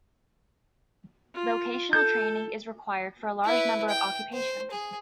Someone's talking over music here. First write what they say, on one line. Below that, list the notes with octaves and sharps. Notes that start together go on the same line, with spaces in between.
Vocational training is required for a large number of occupations.
F4
A4 G6
E4 B4
G5
C5
G#4